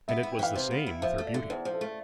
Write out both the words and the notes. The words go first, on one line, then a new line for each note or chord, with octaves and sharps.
And it was the same with her beauty.
B3 E5
E4
G5
E3 F5
C3
B3
E4
F3 E5
A3
D5
D3
E2 C5
F3
A4
A3